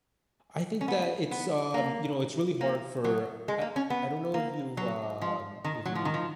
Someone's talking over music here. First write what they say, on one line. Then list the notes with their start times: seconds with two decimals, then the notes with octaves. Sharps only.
I think that it's, um, you know, it's really hard for I I don't know if you've, um if you've
0.81 C#4
0.88 B3
1.31 B3
1.74 A#3
2.61 A#3
3.05 F#3
3.48 G#3
3.61 A#3
3.76 C#4
3.90 B3
4.34 A#3
4.77 F#3
5.21 F3
5.65 D#3
5.86 F#3
5.95 F3
6.05 D#3
6.14 F3